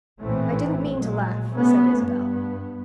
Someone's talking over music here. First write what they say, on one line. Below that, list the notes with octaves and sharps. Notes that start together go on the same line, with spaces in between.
"I didn't mean to laugh," said Isabel.
A#1 A2 E3 A3 C4 C#4
A#2 F#3 G#3
C3 A3 B3 C#4
G2 B3